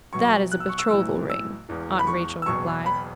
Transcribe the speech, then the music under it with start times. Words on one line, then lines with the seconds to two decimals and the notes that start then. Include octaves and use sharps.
"That is a betrothal ring," Aunt Rachel replied.
0.13 B1 B2 F#3 C#6
0.52 F#6
0.60 E6
0.69 C#6
0.79 E6
0.90 B1 A2 E3 E6
1.30 E6
1.69 E1 E2 E3
1.99 B5
2.07 C#6
2.42 E6
2.46 F#1 E2 B2 F#3 C#6
2.86 B5